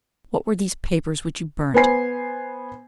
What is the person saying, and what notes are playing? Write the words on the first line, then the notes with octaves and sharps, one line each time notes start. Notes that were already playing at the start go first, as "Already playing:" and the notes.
"What were these papers which you burnt?"
B3 C5 G#5 C7